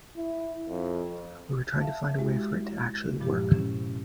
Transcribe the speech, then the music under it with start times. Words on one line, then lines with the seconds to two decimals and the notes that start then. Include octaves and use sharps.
We were trying to find a way for it to actually work...
0.17 E4
0.69 F2
1.80 E5 F5 A5
2.19 G#3 E4 F#4 G4
3.20 G2 A#2 F3 G#3 E4 G4
3.50 C3 C#4